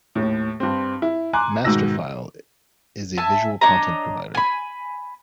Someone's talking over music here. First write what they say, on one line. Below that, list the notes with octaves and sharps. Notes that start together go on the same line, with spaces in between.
Masterfile is a visual content provider.
D#2 A2
G2 C4
E4
G#5 A#5 C6 D6 F#6
G#2 B2 D#3 E6 A#6
E5 G#5 A5
D4 C#5 D#5 A#5
G#5 B5